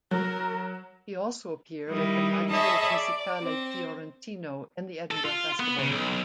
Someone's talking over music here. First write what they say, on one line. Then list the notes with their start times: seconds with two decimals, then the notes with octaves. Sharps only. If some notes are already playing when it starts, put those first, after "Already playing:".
He also appeared at the Maggio Musicale Fiorentino and the Edinburgh Festival.
0.11 F#3 A#4
1.89 D#3 G3 D#4 E4
2.50 G#4 C#5 D#5 E5 A5 B5
2.94 D5
3.42 C4
5.11 A4
5.25 F4
5.60 B3
5.79 C#3
5.92 B1